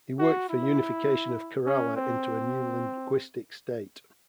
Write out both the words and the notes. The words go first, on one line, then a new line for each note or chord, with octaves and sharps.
He worked for unification of Kerala into a new linguistic state.
F#4
E4
C#4
C4